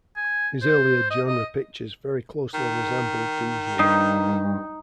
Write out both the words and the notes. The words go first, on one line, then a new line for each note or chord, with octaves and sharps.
His earlier genre pictures very closely resemble Dou's work.
G#5
C5
D#5
D#5
D#3
G2 D#4